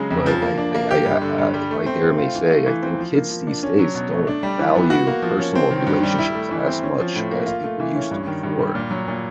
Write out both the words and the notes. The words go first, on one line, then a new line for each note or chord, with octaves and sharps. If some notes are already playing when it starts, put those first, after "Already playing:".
But I I I, uh, if I dare may say, I think kids these days don't value personal relationships as much as people used to before.
Already playing: C#3 F#3 G#3
F2
F3
A#3
D4
A#3
G4
G2
D3
G2
G3
A3
C4
A3
F4
E3
A3
E3
C4
F3
A#3
F3
D4
C#4
F#3
B2
A3
D4
G3
E3
B3
F#4
A#3
F3
C#4
C4
D#3
G2
G3
E4
A3
E3
C4
C#4
F3
A2
A#3
F4
A3
E3
C#4
G2
D#3
G2
G3
A#2
F#3
A#2